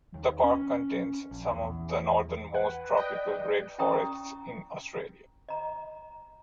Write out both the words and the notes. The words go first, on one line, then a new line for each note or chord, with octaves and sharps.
The park contains some of the northernmost tropical rainforests in Australia.
D#2
C#4
A#1
E2
B4 F#5
D5 D#5 G5
C#4 E4 G5 A#5 C#6 D#6
D#5 A#5